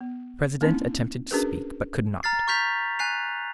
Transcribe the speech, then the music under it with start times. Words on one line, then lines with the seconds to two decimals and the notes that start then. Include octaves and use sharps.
The president attempted to speak, but could not.
0.01 B3
0.61 A#3 C4 C#4 D#4 E4
1.31 C#4 D4 F#4 G#4 A#4 B4
2.23 A#5 F6 A6 C7
2.48 C#6 F6 G6 B6 F7
2.99 G#5 F#6 C7 F7